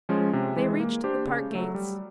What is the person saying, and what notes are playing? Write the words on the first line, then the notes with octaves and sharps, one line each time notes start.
They reached the park gates.
F3 G#3 C#4
C3
E3 G#3
A#3
D4 G4 C5
C#3
F#3 A3
G3